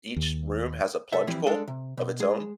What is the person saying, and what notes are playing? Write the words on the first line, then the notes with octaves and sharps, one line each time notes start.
each room has a plunge pool of its own,
D#2
C2 A4 E5
E3 F3 G3 C4 E4
G#3 D4 A4 D5
C3
B2
G#3 G#4